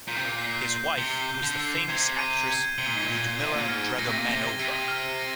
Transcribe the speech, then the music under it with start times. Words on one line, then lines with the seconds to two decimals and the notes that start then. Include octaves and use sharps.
His wife was the famous actress Ludmila Dragomanova.
0.08 A#2 G6
0.17 C3
0.25 A#2
0.39 C7
0.68 G6
0.97 C3 G7
1.29 G6
1.43 D3
1.58 C7
1.88 C3 G#6
2.19 D#7
2.48 G#6
2.78 C3 G7
2.86 A#2
2.96 G#2
3.04 A#2 G#6
3.39 C3 D#7
3.55 A#2
3.68 G#2 F6
3.99 A#2 A#6
4.08 C3
4.18 A#2
4.29 C3 G7
4.59 C3 D#7
4.88 F6
5.19 A#6